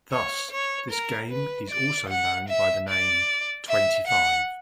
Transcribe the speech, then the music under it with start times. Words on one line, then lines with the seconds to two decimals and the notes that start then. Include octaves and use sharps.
Thus this game is also known by the name "Twenty-Five".
0.12 C#5
0.51 C#5
0.91 A#4
1.31 B4
1.71 D5
2.10 F#5
2.49 E5
2.89 D5
3.69 E5
4.08 F#5